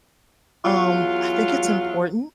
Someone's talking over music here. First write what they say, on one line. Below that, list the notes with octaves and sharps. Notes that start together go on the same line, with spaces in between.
um, I think it's important
E2 F#3 F4